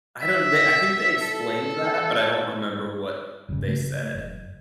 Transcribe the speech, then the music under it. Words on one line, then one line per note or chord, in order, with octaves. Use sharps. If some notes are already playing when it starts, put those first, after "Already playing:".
I don't they I think they explained that, but I don't remember what they said.
E5
A4
G1 F#2 A#2 C#3
C#3 A3
F#1